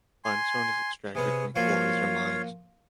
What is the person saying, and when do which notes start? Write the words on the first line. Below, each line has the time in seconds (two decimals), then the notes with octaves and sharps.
Limestone is extracted from quarries or mines.
0.25 G#5 C6
1.15 C3 B3 C#4 G#4
1.56 F3 A#3 F4 F#4 C#5 F5